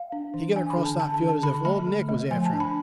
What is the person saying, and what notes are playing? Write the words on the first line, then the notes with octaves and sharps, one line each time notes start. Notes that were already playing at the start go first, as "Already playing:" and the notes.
He got across that field as if Old Nick was after him.
Already playing: F5
D4
E3
D4 G#5
B5
D3
A5
D4 A5
A5
D3
A5
D3 B5
A3 B5
D3
A3
F3 G#5
A5
D4
B5